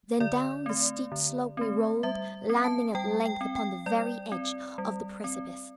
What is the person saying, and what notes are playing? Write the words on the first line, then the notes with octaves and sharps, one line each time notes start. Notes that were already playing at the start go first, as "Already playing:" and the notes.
Then down the steep slope we rolled, landing at length upon the very edge of the precipice.
D3 D5
A3 C4
D3
A3 C4
G3 E5
C4
A5
G3 G5
G5
C4
G5
G3 D5
C4
G3
C4